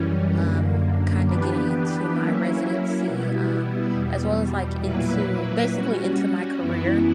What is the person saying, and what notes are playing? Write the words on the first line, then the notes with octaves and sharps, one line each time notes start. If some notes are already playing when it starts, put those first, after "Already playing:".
Um, kinda getting into my residency, um, as well as, like, into basically into my career.
Already playing: F#2 E3 G3 C#4
F#2 D3 A#3
E3 B3 D4 G4 B4
F#3 A#3 C#4 E4
B2 G3 B3 E4
E2 B2 G3
A#2 F#3 A#3 E4 B4
G3 C#4 F#4
F#2 E3 B3 E4